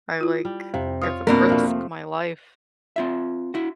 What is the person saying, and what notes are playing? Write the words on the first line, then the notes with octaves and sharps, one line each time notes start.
I like it's risk my life.
E4 F4
G3
F2 C3
F4 C#5 F5 D#6
B2 A#3 C4 D4 E4 A#4
C3 F3 A3 C5
C4 F4 E5
E4 F#4